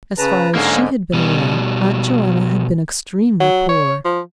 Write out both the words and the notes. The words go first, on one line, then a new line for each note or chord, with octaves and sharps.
As far as she had been aware, Aunt Joanna had been extremely poor.
C#3 B4 A5 A#5
G#2 D3 A#3 C#4 E6
B2 G3
F#3
C#5
F3